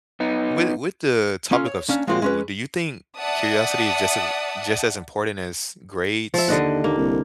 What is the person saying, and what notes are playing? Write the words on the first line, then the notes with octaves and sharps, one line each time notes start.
with with the topic of school, do you think curiosity is just a just as important as grades,
B3 D#4
A#3 C#4 F4 A4
C#5
A#3 C#4 D4
F3 G#3 A#3 C4 F4 F#4
G#3 C#4 B4
D5 E5 F#5 A5 D#6
F3 E5
D#2 D3 D#5 F#5
D#2 A#3
C2